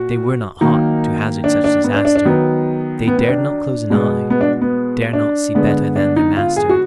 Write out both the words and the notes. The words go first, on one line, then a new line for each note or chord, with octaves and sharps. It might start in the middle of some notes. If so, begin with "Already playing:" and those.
They were not hot To hazard such disaster; They dared not close an eye--dared not See better than their master.
Already playing: A#2 F#4
D#3 F#3 A#3 D#4
D4
D4
B3
D4
D4
D4
D#3 F#3 B3
B3
B3
D4
B2 G#3 B3
B3
D4
B3
D4
D3 G#3 B3
D4
D#4
F4
G#4
F#4